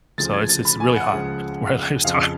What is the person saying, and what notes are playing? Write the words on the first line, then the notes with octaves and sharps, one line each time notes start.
so, it's it's really hot where I live, so
D2 C#3 F3 A6
G#6
A6
B5
G#5
F#5
C#2 C#3 F3
F2 C#3 F3 F5